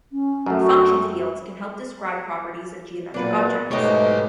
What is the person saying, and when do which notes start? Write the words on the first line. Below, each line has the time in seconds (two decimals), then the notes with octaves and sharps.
Function fields can help describe properties of geometric objects.
0.13 C#4
0.46 F#2 A3
0.60 F#4
3.14 A#2 F#3 B3 D4 B4
3.71 G#2 A3 G4 B4 C#5 D#5